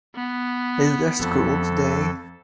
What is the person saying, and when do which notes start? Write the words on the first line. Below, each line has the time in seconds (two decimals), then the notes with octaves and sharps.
Is there school today?
0.15 B3
1.20 F2 F3 A4